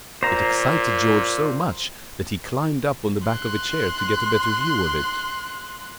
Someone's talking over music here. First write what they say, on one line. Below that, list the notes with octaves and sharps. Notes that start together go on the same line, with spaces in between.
It excited George so much that he climbed up on the back of a chair to get a better view of it.
A#2 C5 A#5
C6 F#6